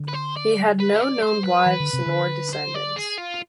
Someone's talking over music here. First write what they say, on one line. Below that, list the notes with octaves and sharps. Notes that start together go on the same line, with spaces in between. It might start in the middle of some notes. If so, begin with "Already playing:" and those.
He had no known wives nor descendants.
Already playing: D3
B4
C5
D5
B4
E5
D5
C5
B4
E3
D3
C3
D3
C5
D5
G#4
F4